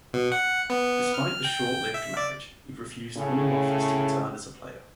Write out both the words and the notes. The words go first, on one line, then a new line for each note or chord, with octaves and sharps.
Despite the short-lived marriage, he refused all offers to return as a player.
B2
F#5
B3
F6
G5
E5
D5
A2 C#3